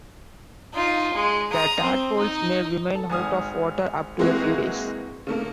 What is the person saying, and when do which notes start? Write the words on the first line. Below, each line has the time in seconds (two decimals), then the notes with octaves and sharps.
The tadpoles may remain out of water up to a few days.
0.74 D#4 F4
1.14 G#3
1.52 A#5 D#6
1.82 C4
2.18 D#4
2.95 A4
3.09 G#1 G#5 D#6 F6
4.19 E3 G#3 A#3 C4 E4 F#4
5.27 C#3 A3 A#3